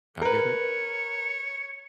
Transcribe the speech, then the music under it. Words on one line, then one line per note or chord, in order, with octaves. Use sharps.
I get it.
A#4 B4 C#5